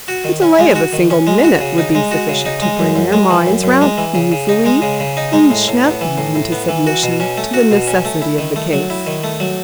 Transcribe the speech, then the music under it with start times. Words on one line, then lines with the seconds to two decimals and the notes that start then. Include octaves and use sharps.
The delay of a single minute would be sufficient to bring their minds round easily and gently into submission to the necessity of the case.
0.08 F#4
0.24 D#3
0.42 C#4
0.59 G#3
0.75 F#4
0.93 D#3
1.10 C#4
1.27 G#3
1.44 F#4
1.60 C#3
1.78 D#4
1.95 G#3
2.11 F#4
2.29 C#3
2.46 D#4
2.62 G#3
2.79 F#2
2.96 F#2
3.12 G#3
3.30 E3
3.46 F#2
3.64 F#2
3.81 G#3
3.98 E3
4.15 C#3
4.32 C#3
4.49 D#4
4.66 G#3
4.82 C#3
5.00 C#3
5.17 D#4
5.33 G#3
5.50 A2
5.68 A2
5.84 B3
6.01 E3
6.18 A2
6.35 A2
6.52 B3
6.69 E3
6.87 F#4
7.03 B2
7.20 C#4
7.37 A3
7.54 F#4
7.71 B2
7.87 C#4
8.05 A3
8.22 E4
8.38 D#3
8.56 A3
8.73 F#3
8.90 E4
9.07 D#3
9.24 A3
9.40 F#3